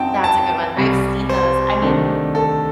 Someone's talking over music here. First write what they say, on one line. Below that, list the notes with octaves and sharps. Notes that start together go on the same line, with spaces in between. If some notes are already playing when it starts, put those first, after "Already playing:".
That's a good one, I've seen those, I mean
Already playing: F#2 F#3 C4 D#4 G5 A5
A5
C2 C3 G3
C5
D2 C3 D#3 A3 D4
A4